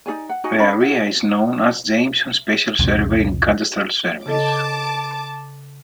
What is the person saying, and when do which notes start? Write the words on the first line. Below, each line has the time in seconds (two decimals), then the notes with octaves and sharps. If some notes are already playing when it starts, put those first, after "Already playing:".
The area is known as Jamieson's Special Survey in cadastral surveys.
0.06 D#4 G#4 D5 G#5
0.29 F#5
0.44 D#4 F#4 D#5 G#5
0.58 C#4 D4 A4 B5
0.80 E4 F#5
2.79 C2 F2 A#2 C#3
4.26 C#3 A4 D#5 A5 D6